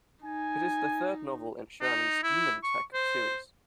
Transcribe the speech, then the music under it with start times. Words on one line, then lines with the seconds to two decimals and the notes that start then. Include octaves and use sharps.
It is the third novel in Sherman's DemonTech series.
0.24 D#4 G#5
1.82 D#4
2.24 E4
2.64 C#6
2.94 C5